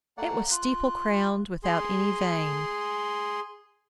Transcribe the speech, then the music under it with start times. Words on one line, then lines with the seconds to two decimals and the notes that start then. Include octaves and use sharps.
It was steeple-crowned, without any vane.
0.18 A3 A#3 D5 F#5
0.51 F4 F#6
1.64 G#4 C6